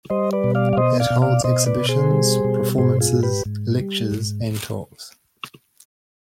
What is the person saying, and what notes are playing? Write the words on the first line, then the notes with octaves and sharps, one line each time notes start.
It holds exhibitions, performances, lectures and talks.
G3 C5 D#5
B4 D5
B2
D5 F5
F5
B2 C5 D#5
D5 F5
B2
D5 F5
B2 C5 D#5
B4 D5
B2
G#4 C5
G3
B2
G#2 G#4 C5
F4 G#4
G#2
G4 B4
G#2
G3
G#2